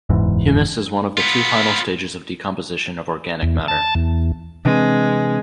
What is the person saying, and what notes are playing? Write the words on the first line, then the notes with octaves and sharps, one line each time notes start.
Humus is one of the two final stages of decomposition of organic matter.
F#1 E2 G#2 E3
B3 F4
E2
A5
E2
C3 E3 G#3 C4 D4 B4